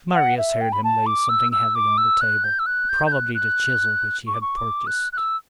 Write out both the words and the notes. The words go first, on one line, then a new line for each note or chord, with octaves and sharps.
Marius heard him lay something heavy on the table, probably the chisel which he had purchased.
F#5
E5
G5
B5
A5
D6
E6
E6
D6
E6
F#6
G6
E6
F#6
G6
G6
F#6
F#6
C#6
D6
C#6
D6
F#6
F#6
E6